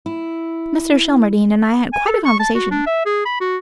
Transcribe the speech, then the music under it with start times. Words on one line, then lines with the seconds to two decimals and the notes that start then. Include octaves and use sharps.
Mr. Shelmardine and I had quite a conversation.
0.06 E4
1.93 G#5
2.07 A4
2.26 C#6
2.40 A5
2.55 F#4
2.71 D4
2.87 E5
3.06 G#4
3.25 B5
3.41 F#4